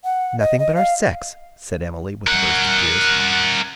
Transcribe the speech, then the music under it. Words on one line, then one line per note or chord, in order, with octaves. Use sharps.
'Nothing but our sex,' said Emily, with a burst of tears.
F#5
D#5
D#5
F5
A#4 F#5